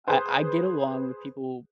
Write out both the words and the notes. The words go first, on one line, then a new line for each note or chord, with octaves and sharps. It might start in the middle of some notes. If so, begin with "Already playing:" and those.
I I get along with people
G#4 B4 C5